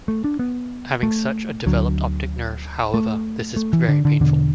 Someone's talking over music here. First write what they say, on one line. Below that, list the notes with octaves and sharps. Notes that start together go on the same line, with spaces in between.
Having such a developed optic nerve, however, this is very painful.
A3
D4
B3
A3
D2 D3 F#3
A3
A3
E3
D3
D3
E2 B2 D3